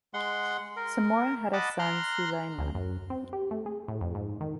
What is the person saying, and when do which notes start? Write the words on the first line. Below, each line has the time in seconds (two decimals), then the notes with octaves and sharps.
Samura had a son Sulayman.
0.14 G#3 F#5 C6
0.77 A#4
1.53 D#5 F#5 A5 B5 D6
1.79 A#5 C6 F6 F#6
2.58 D2
2.75 F#2
3.10 C4
3.33 G4
3.51 A3
3.66 G#4
3.88 A2
4.01 F2
4.15 G#2
4.41 D#3